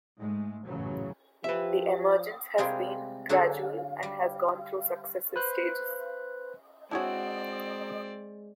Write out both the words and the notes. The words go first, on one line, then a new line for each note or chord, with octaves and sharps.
This emergence has been gradual and has gone through successive stages.
G#2 G#3 A3
A1 F#2 A#2 C#3 E3 F#3
F3 G4 B4 E5
C3 G3 G#3 F4 G#4 A#4
D3 F#3 F#4 G#4 A4
G3
B4 C5 F#6
G#3 C4 D4 E4 F#4 G#4 C#5 D5